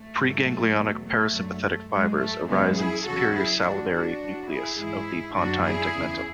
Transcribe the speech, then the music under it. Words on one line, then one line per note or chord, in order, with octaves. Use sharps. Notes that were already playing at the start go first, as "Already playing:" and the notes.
Preganglionic parasympathetic fibres arise in the superior salivary nucleus of the pontine tegmentum.
Already playing: A3
G#2 F#3
E2 B2 F#3
A3
F#2 D3 F#3
A3
G#2 F#3 G#3
A3
E2 C#3 F#3 G#3 B3
E4 G#4
E2 C#3 F#3 F#4 A4
E4 G#4
A2 E3 D4 F#4
D4 F#4
A2 E3
E4 G#4
G#2 E3 E4 G#4
F#2 D3 F#3 D4 F#4
E4 G#4
E2 C#3 E3